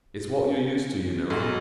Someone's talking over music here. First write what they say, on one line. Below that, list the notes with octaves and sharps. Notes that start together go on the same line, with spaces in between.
It's what you're used to, you know.
B1 F#3 G#3 A4